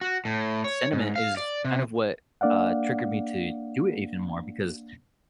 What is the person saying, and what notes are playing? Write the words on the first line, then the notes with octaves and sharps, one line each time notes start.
sentiment is kind of what, uh, triggered me to do it even more, because,
F#4
A2
C#5
G#2
F5
D5
C3
A#3 D4 D5 F5 F#5